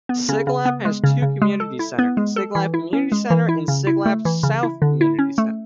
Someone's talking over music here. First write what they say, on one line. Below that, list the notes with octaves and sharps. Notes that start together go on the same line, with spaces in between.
Siglap has two community centres, Siglap Community Centre and Siglap South Community Centre.
B3
C#3
C#3
B3
G#3
C#3
C#3
G#3
A4
E4
B3
G#3
A4
E3
E4
C#4
G#3
E3
E4
C#3
E4
A3
E3
C#3
E4
D3
E4
C#4
A3